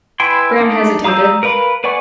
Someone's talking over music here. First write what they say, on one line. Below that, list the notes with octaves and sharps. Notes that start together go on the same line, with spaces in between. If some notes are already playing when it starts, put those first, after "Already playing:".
Graham hesitated.
E4 B4 G5 G#5 C6
D4 D#4
F5 A#5 D#6 E6 G6
A#4 B4 F5 B5
B4 D5 F#5 G#5 C#6